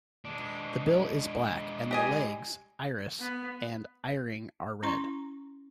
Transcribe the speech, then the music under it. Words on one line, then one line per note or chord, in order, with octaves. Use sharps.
The bill is black and the legs, iris and eyering are red.
G#3 D4
G4 D#5 G#5
B3
C#4 E4 A#5 C6 C#6